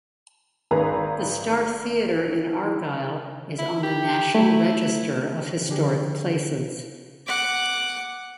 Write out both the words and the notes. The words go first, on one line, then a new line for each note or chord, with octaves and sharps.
The Star Theatre in Argyle is on the National Register of Historic Places.
G#1 D#3 G#4 B4 A#5
E4
G4
A3 E4
D3 F3 D4 G4 G#4
F#5 D6